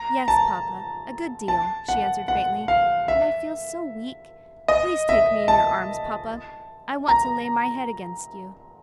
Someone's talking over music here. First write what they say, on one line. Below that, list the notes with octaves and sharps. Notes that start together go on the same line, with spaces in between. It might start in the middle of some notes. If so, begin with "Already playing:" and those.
"Yes, papa, a good deal," she answered faintly; "and I feel so weak. Please take me in your arms, papa, I want to lay my head against you."
Already playing: A#5
A5
A5
F#5
F#5
F5
E5
D#5
E5
A5
A#5